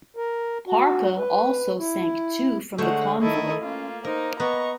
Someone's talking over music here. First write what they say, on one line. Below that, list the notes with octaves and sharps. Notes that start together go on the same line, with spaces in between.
"Parche" also sank two from the convoy.
A#4
F#4
B4
E4
D3 G#3 A3 C5 C#5 F#5
D#3 E4 A4 D#5
A#3 C#4 F4
D#4 A#4 C5
B3 D#5 A#5 C#6